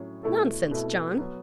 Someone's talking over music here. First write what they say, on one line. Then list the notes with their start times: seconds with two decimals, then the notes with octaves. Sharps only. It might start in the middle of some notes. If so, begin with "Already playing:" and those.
'Nonsense, John.
Already playing: A2 F#3 C#4
0.23 B2 A3 E4 A4
0.71 B2 A3 E4 A4
1.18 F#3 B3